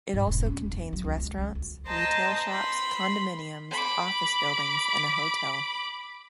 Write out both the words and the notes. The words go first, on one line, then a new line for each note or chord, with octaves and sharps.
It also contains restaurants, retail shops, condominiums, office buildings, and a hotel.
G#2
E1
C#4
D2
E2
F#3
C#2
G#3
C#2
D2
C5 D#5 G5 A5 A#5
B5 C6
B5 D6